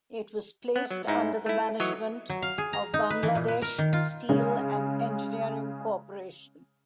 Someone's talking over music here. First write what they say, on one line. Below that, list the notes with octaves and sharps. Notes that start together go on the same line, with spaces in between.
It was placed under the management of Bangladesh Steel and Engineering Corporation.
B3
F#3
G#2 D#4 E4
A3 E4
E3 F#3 C#5 D#5
F#3
F5
G#4
A#5
D#4
B4
E3
A#2
B4
A#4
D#3
F4
C#3 G#3 C#4